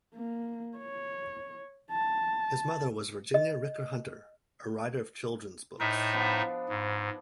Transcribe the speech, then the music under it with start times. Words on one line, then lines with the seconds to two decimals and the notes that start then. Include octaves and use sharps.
His mother was Virginia Ricker Hunter, a writer of children's books.
0.15 A#3
0.78 C#5
1.91 A5
3.34 D#5
5.80 A2 D#4 A#4 C5 D#5 E5
6.13 F3 B3 D4
6.69 G#2